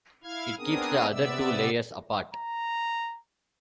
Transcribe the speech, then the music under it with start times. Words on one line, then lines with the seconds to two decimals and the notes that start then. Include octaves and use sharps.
It keeps the other two layers apart.
0.24 E4 F5 F6 G#6
0.58 B3 C4 D4 G#4 A#4 D#6
1.10 C3 B3 D5 E5 E6
2.35 A#5